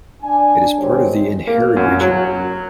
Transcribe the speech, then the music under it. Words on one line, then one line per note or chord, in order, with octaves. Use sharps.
It is part of the Innherred region.
D4 G#5
G#1 E2 C4 D#4 G4 C#5
A#3
F#2
F#3